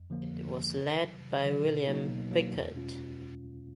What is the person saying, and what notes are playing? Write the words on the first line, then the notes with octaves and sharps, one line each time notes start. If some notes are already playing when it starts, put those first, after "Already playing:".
It was led by William Pickard.
Already playing: F2
D3 F3 A#3
F2
D3 F3 A#3
C3
D#3 F#3
C3
D#3 F#3
B2
F#3 A#3 D#4
B2
F#3 A#3 D#4
E2
B2 G#3 C#4 F4